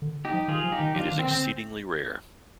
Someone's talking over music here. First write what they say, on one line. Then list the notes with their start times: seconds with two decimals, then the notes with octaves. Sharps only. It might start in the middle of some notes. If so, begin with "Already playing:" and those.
It is exceedingly rare.
0.02 D3
0.25 D#4 G4
0.33 F3
0.48 D#3 F4 G#4
0.64 F3
0.72 D#4 G4
0.80 D#3
0.95 F3 D4 F4
1.12 D#3
1.19 C4
1.27 D3
1.31 C4